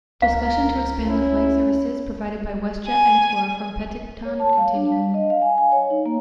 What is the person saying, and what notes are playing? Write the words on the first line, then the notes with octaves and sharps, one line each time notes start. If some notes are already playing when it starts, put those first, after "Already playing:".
Discussion to expand the flight services provided by WestJet Encore from Penticton continue.
C#2 A#4 F5
C#4 E4
G#5
C#5
A5
F5
D4
G3
D#5
F5
G#5
G#5
C#5
D#4
A#3